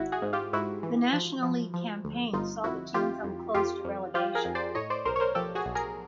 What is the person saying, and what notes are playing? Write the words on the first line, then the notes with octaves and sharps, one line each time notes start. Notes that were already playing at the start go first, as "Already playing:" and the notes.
The National League campaign saw the team come close to relegation.
Already playing: G#1 E4 F#4
F#4 G#4
G#2
F4 G4
G#2 E4 F#4
E3
F3
F3
F3
D2
G1 D#4 F4
F2 E4 F#4
F2 F4 G4
F2
F2 F4 G4
F2
F3 F4 G4
G#4 A#4
F2
C5 D5
A2 C#5 D#5
C5 D5
B1 A#4 C5
C#5
A#4 C5
F3 G4 A4
F#4 G#4
B1
G#4 A#4